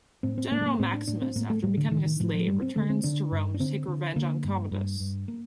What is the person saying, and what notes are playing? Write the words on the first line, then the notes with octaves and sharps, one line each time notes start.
General Maximus, after becoming a slave, returns to Rome to take revenge on Commodus.
A2 C4
C4
A2 A#3
A3
A#3
A2 C4
D4
A2 D4
C4
A2 A#3
A3
A2 G3
D3
A2 D#3
D#3
A2 F3
F3
G2 G3
C4
D3 A3
C4
D3 D4
G2
D4
D3 C4
D3
D3 A#3
G2
G2
G2
A#3